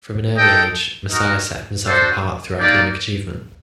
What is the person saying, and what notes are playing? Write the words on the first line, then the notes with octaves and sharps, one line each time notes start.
From an early age Masire set himself apart through academic achievement.
D#4 A4 D#5 G5
D#4 F#4 A#4 D#5
D4 F#4 A4 C5 F#5
A#3 D#4 G4 D5